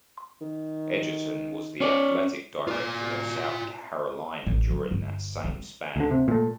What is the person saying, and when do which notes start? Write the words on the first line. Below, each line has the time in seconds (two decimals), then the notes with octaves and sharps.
Edgerton was the athletic director at South Carolina during that same span.
0.42 D#3
1.80 C#4 C#5 D5
2.67 F4 D5
4.47 A1
4.70 F#3
4.91 G1
5.44 G3
5.96 D2 D3
6.11 C3
6.28 A#2 A3